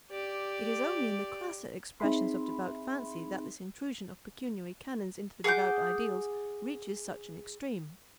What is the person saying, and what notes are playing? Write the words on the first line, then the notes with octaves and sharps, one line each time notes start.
It is only in the crasser expressions of devout fancy that this intrusion of pecuniary canons into the devout ideals reaches such an extreme.
G4 D5
C4 D#4 G#4 E5 B5 C6
G#4 F#5 D6 G6